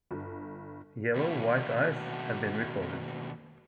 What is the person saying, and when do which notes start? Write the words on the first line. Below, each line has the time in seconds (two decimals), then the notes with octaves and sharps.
Yellow white-eyes have been recorded.
0.11 G1
1.16 D#2 B2